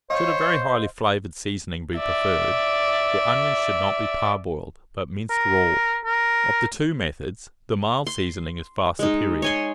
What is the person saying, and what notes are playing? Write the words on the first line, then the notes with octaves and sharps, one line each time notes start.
Should a very highly-flavoured seasoning be preferred, the onions should not be parboiled, but minced raw: of the two methods, the mild seasoning is far superior.
C5 C#5 D#5 F5
D5 E5
A#4
A#4
C6
G#3 D#4
C#5 G#5 C6